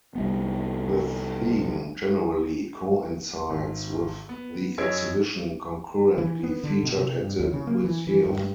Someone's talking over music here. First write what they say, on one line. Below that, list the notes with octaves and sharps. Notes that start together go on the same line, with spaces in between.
The theme generally coincides with the exhibition concurrently featured at the museum.
C2 G3 B3
G#1
B3
F#2 C#5 D#5 E6 G#6 D7
E3
B3
D3
B2
C3
G2
D#2
C#3
A#3
E3
E3
G2